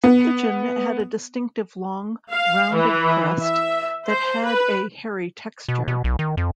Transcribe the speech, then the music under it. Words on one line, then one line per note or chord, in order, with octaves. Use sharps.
The pigeon had a distinctive long, rounded crest that had a hairy texture.
B3
F5
E3
E5
C5
B4
B2
B2
B1
D#3
F2